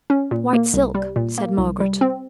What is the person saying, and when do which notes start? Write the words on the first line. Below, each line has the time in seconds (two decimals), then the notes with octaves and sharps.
'White silk,' said Margaret.
0.10 C#4
0.31 A#2
0.53 A#3
0.73 C2
0.95 G3
1.16 A#2
1.38 A#3
1.58 C2
1.80 G3
2.01 C4